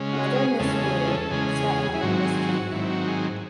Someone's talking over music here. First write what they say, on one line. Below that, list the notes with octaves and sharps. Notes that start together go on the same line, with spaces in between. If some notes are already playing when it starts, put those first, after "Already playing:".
Mother Ms. Wu; Stepmother Ms. Chang.
Already playing: C#3 G#3 C#4
F#4
G#4
E2 C#3 G#3 C#4 A4
G#4
A4
E2 C#3 G#3 C#4 G#4
E4
G#2 D#3 F#3 C4 F#4
G#4
F#4
G#2 D#3 F#3 C4 E4
F#4
G#4